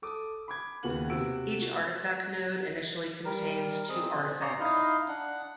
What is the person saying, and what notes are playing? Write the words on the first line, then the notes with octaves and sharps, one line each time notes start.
Each Artifact Node initially contains two Artifacts.
A4 D6 D#6
B5 D6 G#6
D#2 C#3 B3 F#4 F#5 F#7
C3 F#4 E6 D7
F#4
G3 A#4
C4 G#4 D#5
C#5 D5 A#5 C6
D#4 E4 D#5 F5
D4 F#5